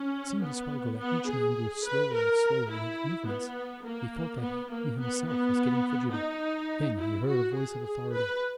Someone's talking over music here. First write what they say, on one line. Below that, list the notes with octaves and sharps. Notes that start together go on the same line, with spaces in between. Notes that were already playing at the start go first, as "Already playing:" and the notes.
It seemed to Spargo that each man grew slower and slower in his movements; he felt that he himself was getting fidgety. Then he heard a voice of authority.
Already playing: C#4
B3
B3
G#4
B4
A#4
E4
B3
A#3
B3
A#3
B3
B3
D#4
E4
F#4
G#4
G#4
B4